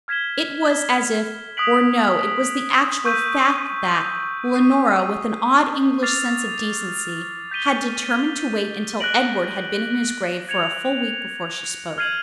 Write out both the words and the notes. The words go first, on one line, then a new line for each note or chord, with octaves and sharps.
It was as if--or no, it was the actual fact that--Leonora with an odd English sense of decency had determined to wait until Edward had been in his grave for a full week before she spoke.
F6 G#6 B6 E7 G7
D#6 F#6 B6 D7 F#7
C#6 E6 G6 B6 D#7
D#6 G6 C7 D#7
D6 F6 A6 C7 F7
G6 B6 D#7 G7
F#6 A#6 D7 F#7
G#6 C#7 F7
F6 G#6 C7 D#7 F#7